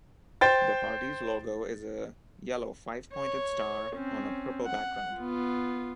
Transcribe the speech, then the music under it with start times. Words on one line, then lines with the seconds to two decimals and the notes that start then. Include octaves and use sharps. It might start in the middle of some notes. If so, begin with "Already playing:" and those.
The party's logo is a yellow five-pointed star on a purple background.
0.41 C5 G5 A6
3.14 C#5
3.95 C4 C#4
4.66 F#5
5.15 B3 F4